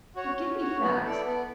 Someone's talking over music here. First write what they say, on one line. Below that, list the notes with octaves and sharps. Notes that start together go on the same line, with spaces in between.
But give me facts.
F#4 C#5
C#4
F#4 C#5
B3
E4 A4 D5
B3